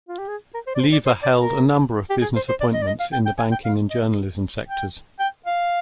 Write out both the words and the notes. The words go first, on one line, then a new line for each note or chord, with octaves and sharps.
Lever held a number of business appointments in the banking and journalism sectors.
F4
G4
G#4
A#4
C5
D5
C5
D5
C5
D5
A#4
G4
G#4
C5
C5
D5
D#5
D5
D#5
F5
G5
G5
G#5
G5
F5
D#5
G5
G5
F5